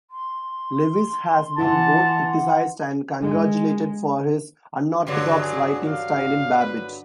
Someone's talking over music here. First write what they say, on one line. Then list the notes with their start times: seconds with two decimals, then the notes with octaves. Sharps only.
Lewis has been both criticized and congratulated for his unorthodox writing style in "Babbitt".
0.11 C6
1.59 E3 F#5 A5
3.22 G#3
5.07 G2 D3 F#3
5.38 G#4
5.87 F5
6.59 B4